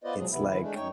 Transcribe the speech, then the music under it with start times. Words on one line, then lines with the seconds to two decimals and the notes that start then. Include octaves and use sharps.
it's like,
0.04 B3 F4 B4 C5 D5 D#5
0.17 B2 F3 F#3 G#3 G#4
0.31 D2 C3 E3 B3 E4
0.46 D3 E3 E4
0.60 G#3 A3 D4
0.75 F#2 D#4 C#5 G5